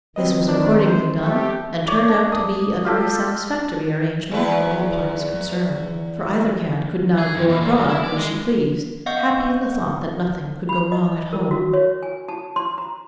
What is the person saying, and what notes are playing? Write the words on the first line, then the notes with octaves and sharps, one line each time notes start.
This was accordingly done, and turned out to be a very satisfactory arrangement for all parties concerned; for either cat could now go abroad when she pleased, happy in the thought that nothing could go wrong at home.
D#3 C4 B4 D#5
D4
C5
A3 G4
C#5 D5
D4
D#6
F4 G4 A4
E2 B4
G#4
F2
B2
A#2
D2
E4
D5
G#3
B3 D#5 F5 F#5 C#6 G6
B5
D#5
A#4
F#4
C#5
G#5
A5
C6
A#5